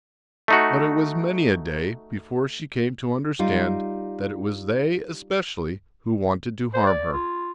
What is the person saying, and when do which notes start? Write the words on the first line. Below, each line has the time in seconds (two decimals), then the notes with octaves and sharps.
But it was many a day before she came to understand that it was they especially who wanted to harm her.
0.48 A3 D#4 F#4
3.39 G3 D#4 F4
6.74 C5
6.86 D5
7.12 F4